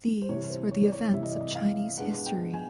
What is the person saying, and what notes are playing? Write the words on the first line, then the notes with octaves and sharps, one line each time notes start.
These were the events of Chinese history.
C5
C3 E3 G3 C#5
C5
C#5
D5
C#5
C3 E3 G3 E5
D#5
D5
D#5
F5
B2 G#3 B3 D4 F#5
G5
G#5